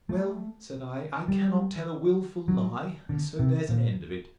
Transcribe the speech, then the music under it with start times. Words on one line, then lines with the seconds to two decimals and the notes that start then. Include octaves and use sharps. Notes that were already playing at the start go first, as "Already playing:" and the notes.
Well, said I, I cannot tell a wilful lie, and so there's an end of it.
0.09 A3
1.28 G3
2.48 F#3
3.09 D3
3.39 C3
3.69 A#2